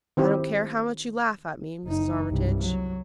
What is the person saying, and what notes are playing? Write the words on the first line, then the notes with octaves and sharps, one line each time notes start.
"I don't care how much you laugh at me, Mrs. Armitage."
D#3 C4 E4 G4
F#1 D#4
C2 G2
F#3